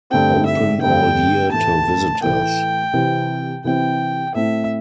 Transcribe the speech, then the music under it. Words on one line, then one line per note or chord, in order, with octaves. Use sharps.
Open all year to visitors.
G2 D3 A3 C4 G5
E5
G2 D3 A3 C4 G5
A2 E3 A3 A5
A2 E3 A3 G5
C3 E3 C4 E4
C3 E3 C4 E4 G5
A2 A3 C4 E4 E5